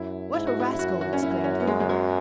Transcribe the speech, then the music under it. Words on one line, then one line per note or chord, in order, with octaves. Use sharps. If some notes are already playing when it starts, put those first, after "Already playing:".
"What a rascal!" exclaimed the clerk.
Already playing: F#2 E4
G#2 E4
F#4
E4
E4
F#2 F#4
F#4
C#4
F#2 E4
C#4
B3
G#3
G#3
F#3